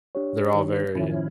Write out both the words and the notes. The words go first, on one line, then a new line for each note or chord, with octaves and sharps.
They're all very
D4 G4 C#5
D#3
A2 D#3 F3 C#4 E4